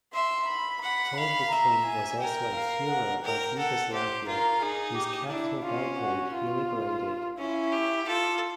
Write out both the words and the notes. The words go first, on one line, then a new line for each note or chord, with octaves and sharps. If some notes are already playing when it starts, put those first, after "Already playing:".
Tolbukhin was also a hero of Yugoslavia, whose capital Belgrade he liberated.
E5 C6
B5
F#5 B5
F5 B5
E5 A#5
G#5
A#4 G5
F5
F#5
A#4 G5
A4 F#5
G4 C5
F4 A#4
D#4 G#4
G4
D4 E4
C#4 F4
F#4
F4
C#4 E4
G4
F4 A4